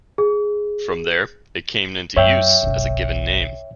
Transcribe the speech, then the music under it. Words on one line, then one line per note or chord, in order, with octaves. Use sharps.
From there, it came into use as a given name.
G#4
F#2 C#5 E5 G5
F#1 B1